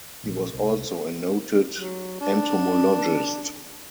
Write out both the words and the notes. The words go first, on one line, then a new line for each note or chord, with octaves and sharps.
He was also a noted entomologist.
A#1
C2
F#3
D4